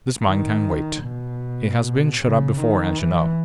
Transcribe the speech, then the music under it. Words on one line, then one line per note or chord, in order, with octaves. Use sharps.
This mine can wait; it has been shut up before, as you know.
D#3
B2
C#3
D#3
E3